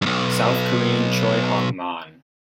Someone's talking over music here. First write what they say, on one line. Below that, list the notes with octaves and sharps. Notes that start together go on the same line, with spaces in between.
South Korean Choi Hong-man.
B1 G2